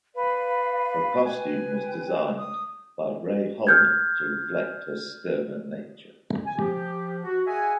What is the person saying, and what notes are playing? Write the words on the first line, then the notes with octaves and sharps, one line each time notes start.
Her costume was designed by Ray Holman to reflect her sterner nature.
B4 D5 F5
B4 G5 G#5
D#6
F6 G6 G#6
G#5
F3 G4
F#4
G#4 D#5 E5 F#5 G#5